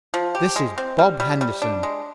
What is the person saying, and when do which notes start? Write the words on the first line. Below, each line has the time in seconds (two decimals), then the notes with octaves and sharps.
This is Bob Henderson.
0.14 F3
0.35 G4
0.56 G#3
0.78 C4
0.99 G3
1.20 G3
1.41 G3
1.62 D4
1.83 G#3